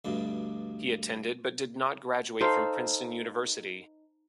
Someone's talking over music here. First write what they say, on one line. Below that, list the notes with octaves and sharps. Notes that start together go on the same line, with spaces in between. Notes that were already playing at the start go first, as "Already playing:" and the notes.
He attended but did not graduate from Princeton University.
D2 G2 B2
D#4 A4 C5 F5